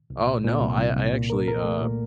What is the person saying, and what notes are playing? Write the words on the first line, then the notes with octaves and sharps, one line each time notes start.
Oh, no. I I actually, uh,
C2
A#2
A#2
C2
C2
C2
A#2
A#4
A#4
A3
A#2